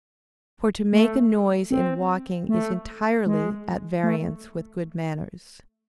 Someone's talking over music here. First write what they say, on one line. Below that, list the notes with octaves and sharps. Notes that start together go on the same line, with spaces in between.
For to make a noise in walking is entirely at variance with good manners.
A3
C4
A3
G#3
A3